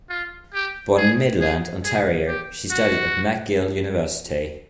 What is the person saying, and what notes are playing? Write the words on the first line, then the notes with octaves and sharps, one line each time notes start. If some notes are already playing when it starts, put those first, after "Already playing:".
Born in Midland, Ontario, she studied at McGill University.
F4
G4
G#4
G#4
G#4
G4
F#4